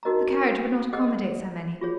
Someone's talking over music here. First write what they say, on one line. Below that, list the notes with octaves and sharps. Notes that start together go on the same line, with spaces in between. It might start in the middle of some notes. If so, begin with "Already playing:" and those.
The carriage would not accommodate so many.
D#4 F#4 A#4 D#5 A#5
G#4 D#5 F#5
F4 G#4 C#5